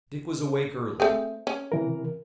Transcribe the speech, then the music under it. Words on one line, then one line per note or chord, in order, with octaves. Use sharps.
Dick was awake early.
A3 C4 G#4
C#4
C3 E3 A#4